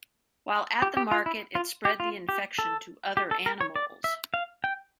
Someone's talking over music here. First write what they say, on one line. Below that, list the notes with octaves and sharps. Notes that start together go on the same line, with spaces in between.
While at the market it spread the infection to other animals.
G4
G4
F4
E4
F4
G4
F4
G4
A4
G4
A4
A#4
C#5
D5
E5
F5
G5